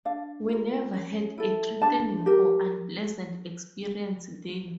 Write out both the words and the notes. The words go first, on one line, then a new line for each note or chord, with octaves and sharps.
We never had a threatening or unpleasant experience there.
D4 F5
F4 A#4
C#4
E4 A4
D4 A5
G4 A#4